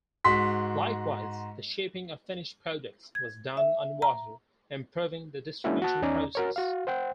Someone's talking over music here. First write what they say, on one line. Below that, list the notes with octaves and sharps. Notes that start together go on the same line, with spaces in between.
Likewise, the shipping of finished products was done on water, improving the distribution process.
G#2 F#4 C6 B6
G#6
E5
A#5
G#3 A#3 C#4 D4 E4 F#4
F#4 A5 F#6
E2 C#4 D#4 D5 A#5
F#4 A#4 C#5
F#4 F5
C5 F#5 G5